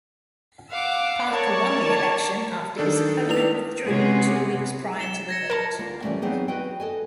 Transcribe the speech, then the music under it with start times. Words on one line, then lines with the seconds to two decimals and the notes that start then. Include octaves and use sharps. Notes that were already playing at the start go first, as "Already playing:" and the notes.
Parker won the election after his opponent withdrew two weeks prior to the vote.
0.70 F5 F#5 D6 E6
1.30 A#4 C#5 D5 A5 C#6
2.78 D#3 D4 A4
3.29 E4 B4 F7
3.86 C3 G#3 B3 C#4 G#4
4.99 A6 E7 G7
5.29 G#6 A#6 C#7
5.50 A#4 A5 A#5
5.78 D2 A#3 F4
6.03 E3 F#3 G3 A3 C#4
6.22 F#3 B3 C4 D#4 G#4
6.48 F#4 B4 D#5 G5
6.80 A4 D#5 G#5